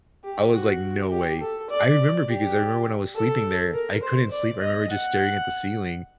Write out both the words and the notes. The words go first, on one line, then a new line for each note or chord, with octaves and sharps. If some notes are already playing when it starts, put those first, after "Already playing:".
I was like, "No way." I remember because I remember when I was sleeping there, I couldn't sleep. I remember just staring at the ceiling
G4
F#4
G4
A4
D5
G4
A4
A#4
C5
D5
D#5
F#5